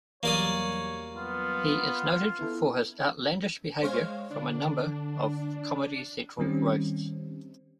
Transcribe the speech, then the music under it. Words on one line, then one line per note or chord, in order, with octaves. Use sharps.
He is noted for his outlandish behavior from a number of "Comedy Central Roasts".
E2 F#3 G3 A#3 C#5 D5 D#6
B3 F4
B3 E4 A4
G#3 C5 C#5 F5
D3 D4
D#3 G3 C4 C#4